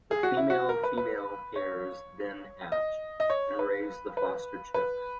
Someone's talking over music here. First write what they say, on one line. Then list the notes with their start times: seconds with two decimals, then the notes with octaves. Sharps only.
The female-female pairs then hatch and raise the foster-chicks.
0.11 G#4
0.23 F#4
0.37 E4
0.50 F#4
0.69 A#4
0.83 B4
0.98 B4
1.56 C#5
2.72 D#5
3.20 D#5
3.30 C#5
3.59 B4
4.17 B4
4.74 B4